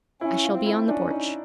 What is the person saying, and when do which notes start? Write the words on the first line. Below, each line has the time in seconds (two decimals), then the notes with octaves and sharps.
I shall be on the porch.'
0.21 C#4 E4
0.43 F4
0.55 C4
0.66 E4
0.88 C#4 D4
1.11 D#4